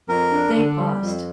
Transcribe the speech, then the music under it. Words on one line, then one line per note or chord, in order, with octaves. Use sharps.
They paused.
F2 A#4
D4
D3
G3
F2